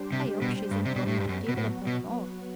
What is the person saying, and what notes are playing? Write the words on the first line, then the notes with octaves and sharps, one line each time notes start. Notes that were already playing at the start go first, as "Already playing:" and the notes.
"I hope she isn't going to develop any more!"
Already playing: G3 D4 G4 C5
C3
B2
G2
C3
B2
A2
G2
F#2 F#3 B3 F#4
B2
A2
B2